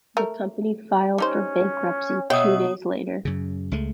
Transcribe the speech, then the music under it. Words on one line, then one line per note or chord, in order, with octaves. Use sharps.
The company filed for bankruptcy two days later.
A3 A#4
G3 C#4 D#4 C5
B2 C#5 E5 G5 D#6
F#2 C#3
C#2 G#3 A3